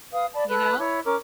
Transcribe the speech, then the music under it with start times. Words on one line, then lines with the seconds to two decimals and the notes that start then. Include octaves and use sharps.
you know?
0.13 B4 F5 D#6
0.33 D5 A5 B5
0.48 A4 B4 B5 F#6
0.77 E4 C#5
1.05 C#4 A#4 D6